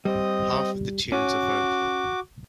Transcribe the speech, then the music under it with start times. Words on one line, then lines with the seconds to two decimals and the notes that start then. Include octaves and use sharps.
Half of the tunes are vocal.
0.05 G3 C4 D#5 D#6
1.12 C#4 F#4 D6